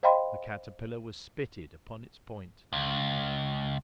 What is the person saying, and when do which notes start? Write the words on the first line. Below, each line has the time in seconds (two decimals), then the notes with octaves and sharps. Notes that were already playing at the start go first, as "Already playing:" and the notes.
The caterpillar was spitted upon its point.
0.03 C5 D#5 F5 G5 B5 C6
2.73 C#2